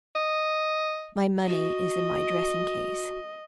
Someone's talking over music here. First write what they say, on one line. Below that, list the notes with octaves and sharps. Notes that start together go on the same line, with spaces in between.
My money is in my dressing-case.
D#5
F#4 D#5